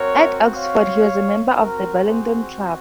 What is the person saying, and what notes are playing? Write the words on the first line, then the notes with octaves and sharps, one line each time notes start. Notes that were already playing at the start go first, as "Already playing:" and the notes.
At Oxford he was a member of the Bullingdon Club.
Already playing: C4 F#4 A#4 C#5
C#5 F5
C4 F#4 A#4
G#4 C5